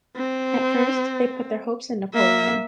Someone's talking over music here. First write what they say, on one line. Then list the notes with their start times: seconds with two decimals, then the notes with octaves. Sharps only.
At first, they put their hopes in Napoleon.
0.16 C4
2.14 A#3 E5